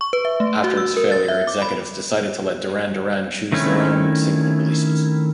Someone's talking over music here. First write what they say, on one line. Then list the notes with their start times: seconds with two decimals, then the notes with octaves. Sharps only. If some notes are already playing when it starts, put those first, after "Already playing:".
After its failure, executives decided to let Duran Duran choose their own single releases.
0.01 C#6
0.13 B4
0.25 E5
0.40 A3
0.64 F#4
0.77 E6
0.97 A#4
1.12 A6
1.28 E5
1.47 D6
1.62 B5
3.52 D#3 A3 C4 C#4 E4